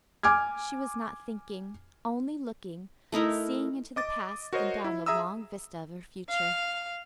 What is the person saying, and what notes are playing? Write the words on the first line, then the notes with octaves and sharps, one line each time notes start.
She was not thinking, only looking, seeing into the past and down the long vista of her future.
G#5 D6 F6 G#6
A3 D#4 E4 A#4
D#5 D6 A6
F#4 A#4 C5 C#5 D#5
E4
G#4 E5 A#5 D#6 E6
F5